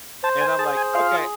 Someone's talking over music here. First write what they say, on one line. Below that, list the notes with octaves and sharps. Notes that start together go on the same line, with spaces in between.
and I'm like, "Okay,
C5 A5
G#5
G#4 A5
G#5
F4 F5